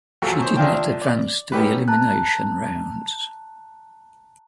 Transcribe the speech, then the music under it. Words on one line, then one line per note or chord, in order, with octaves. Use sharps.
She did not advance to the elimination rounds.
E2 A#2 F3 F#3 F#4 A4
D#3 C5 C#5
C2 F3 D4 F4 G5 A5
D5
B3 C#4 D#4 G4 A4 B4
A5 A#5 F#6